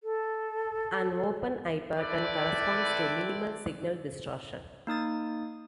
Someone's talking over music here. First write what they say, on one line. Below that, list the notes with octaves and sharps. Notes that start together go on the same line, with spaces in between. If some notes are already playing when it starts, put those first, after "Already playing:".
An open eye pattern corresponds to minimal signal distortion.
A4
C4 E4 A4 B4 D5
A#3 D#4 D#6 A6